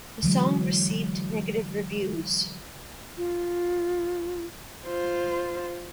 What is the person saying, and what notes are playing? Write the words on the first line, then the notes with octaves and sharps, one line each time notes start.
The song received negative reviews.
D3 E3 F#3 G#3
F4
F4 C5